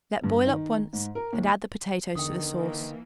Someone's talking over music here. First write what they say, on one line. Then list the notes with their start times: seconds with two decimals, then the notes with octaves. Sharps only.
Let boil up once and add the potatoes to the sauce.
0.24 G2
0.47 D#3
0.93 G#2
1.15 A#4
1.33 D#2
2.15 E2 D3 D#3 G5 D#6
2.55 E3 A#3